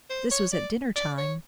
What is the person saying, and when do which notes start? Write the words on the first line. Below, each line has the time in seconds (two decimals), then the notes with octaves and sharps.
This was at dinner-time.
0.10 C5
0.31 C#5
0.53 D5
0.96 D5
1.18 C#5